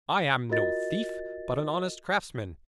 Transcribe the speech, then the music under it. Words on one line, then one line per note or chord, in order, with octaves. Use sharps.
I am no thief, but an honest craftsman.
F4 F#4 A#4 D#5 A6